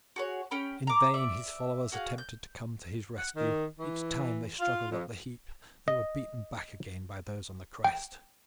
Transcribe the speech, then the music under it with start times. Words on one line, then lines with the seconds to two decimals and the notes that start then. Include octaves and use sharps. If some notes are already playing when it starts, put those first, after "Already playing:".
In vain his followers attempted to come to his rescue; each time they struggled up the heap they were beaten back again by those on the crest.
0.16 F#4 G#4 C#5
0.51 C#4 G#4 G5 B5
0.87 A#5 D6
1.14 D5 E5
1.92 F#4 G#4 F5
2.18 G6
3.18 F#5
3.35 D#3
3.78 E3
4.60 F4
4.91 F2
5.88 D#5
7.84 G5